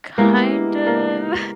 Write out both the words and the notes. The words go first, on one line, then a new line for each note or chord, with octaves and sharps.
Kind of,
G#3 A#3 B3 E4 G4
A#3